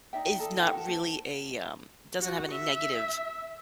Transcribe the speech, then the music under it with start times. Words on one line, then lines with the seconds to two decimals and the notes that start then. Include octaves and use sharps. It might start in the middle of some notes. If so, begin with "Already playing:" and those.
is not really a, um doesn't have any negative
0.13 D#4 D5 E5 G5
0.38 D#4 F4 A4 D5
0.60 E4 F#5 G5
0.73 F#4 A#4 A5
0.88 C#4 C5 G5 A5
2.21 F#4
2.52 E5